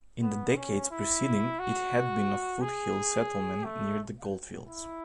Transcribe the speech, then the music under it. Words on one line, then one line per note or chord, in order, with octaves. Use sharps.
In the decades preceding, it had been a foothills settlement near the gold fields.
B3
C#4
E4
F#4
G#4
A3
E4